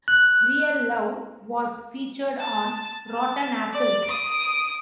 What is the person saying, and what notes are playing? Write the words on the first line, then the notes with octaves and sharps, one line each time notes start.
"Real Love" was featured on "Rotten Apples".
F#6
A5
A5
D5
D#6 D7